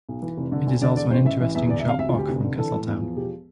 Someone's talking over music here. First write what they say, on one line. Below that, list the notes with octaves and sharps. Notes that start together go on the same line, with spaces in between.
It is also an interesting short walk from Castletown.
B1
E3
F1
D3
D2
D3 D5
E1 D5
A1 C5
A1 E5
E3 E5
E2 E5
G1 D5
E5
C3 F5
D2 E5
F4
D2 G4
F1
D3
E3 A4
A2
E2
F3
E1 G4